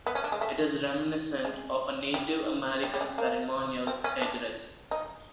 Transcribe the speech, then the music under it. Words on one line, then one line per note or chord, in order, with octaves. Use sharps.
It is reminiscent of a Native American ceremonial headdress.
B3
C#4
D4
G#3
A3
G#3
G3
G3
G3
G#3
A#3
C4
C#4
D4
D#4